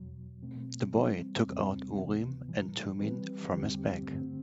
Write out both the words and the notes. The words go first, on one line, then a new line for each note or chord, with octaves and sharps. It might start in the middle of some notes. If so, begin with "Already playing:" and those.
The boy took out Urim and Thummim from his bag.
Already playing: E2 B2 F#3
B2 A3 C4
E3 G3 C4
E2 C3 G3 C4
D2 C3 E3 B3
A2 E3 G3
E3 G3 C4 G4 B4
E2 D3 G3 C4 G4
G2 D3 A3 C4